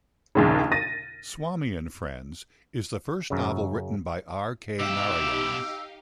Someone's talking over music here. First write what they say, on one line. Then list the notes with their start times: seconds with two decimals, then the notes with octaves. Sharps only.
"Swami and Friends" is the first novel written by R. K. Narayan.
0.35 A#1 D#2 C#3
0.72 A6 A#6 D#7
3.30 F#2 C#3
4.79 B2 D#4 G4 E5 F5 D6 E6